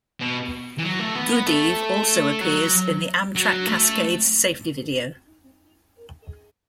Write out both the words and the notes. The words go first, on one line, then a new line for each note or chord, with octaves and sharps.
Goodeve also appears in the Amtrak Cascades safety video.
B2
E3
F#3
A3
B3
A3
F#3
F#3
A3